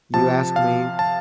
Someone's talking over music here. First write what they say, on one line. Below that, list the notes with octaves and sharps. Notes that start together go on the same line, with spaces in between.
you ask me,
C3 F3 A5
F5
A5